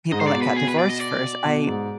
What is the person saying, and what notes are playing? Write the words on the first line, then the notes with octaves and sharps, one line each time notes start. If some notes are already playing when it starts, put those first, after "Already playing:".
people that got divorced first. I
G#2 D#5
C5
D5
B2
B4
G#4
B4
D5
D#5
D5
B2
G#2